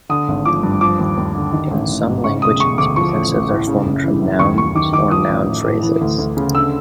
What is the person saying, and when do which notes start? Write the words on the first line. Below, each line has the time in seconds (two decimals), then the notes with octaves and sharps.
In some languages, possessives are formed from nouns or noun phrases.
0.09 D3 D#6
0.28 G#1
0.45 F3 D6
0.63 G2
0.81 F3 D6
0.99 D#2
1.17 D#2
1.35 D3
1.53 D#3
1.71 A1
1.89 A1
2.07 G#2
2.24 C#3 C#6
2.42 E1 D#6
2.60 E1 C#6
2.78 D2 D6
2.96 F3 C#6
3.14 A1
3.32 A1
3.50 A2
3.68 C#3
3.86 F#1
4.03 E3
4.22 F#2
4.39 D#2 C#6
4.57 D#2 C#6
4.75 D#3 D6
4.93 D#3 D6
5.11 F3 D#6
5.29 A1
5.46 A1
5.65 A2
5.83 E3
6.01 D2
6.18 D2
6.37 C#3
6.54 D3 E6